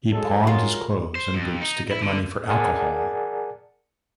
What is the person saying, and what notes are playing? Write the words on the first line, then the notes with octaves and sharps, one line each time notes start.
He pawned his clothes and boots to get money for alcohol.
F#3 G#3 A4
F4 A#4
C5
F2
D#4
E4
D3
G#4 A#4 D5 F#5 G#5 A5